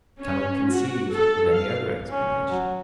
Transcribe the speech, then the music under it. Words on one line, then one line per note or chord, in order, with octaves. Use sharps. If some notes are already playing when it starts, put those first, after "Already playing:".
I cannot conceive of any other explanation.
C#4
F#4
A4
F5
C#4
F#3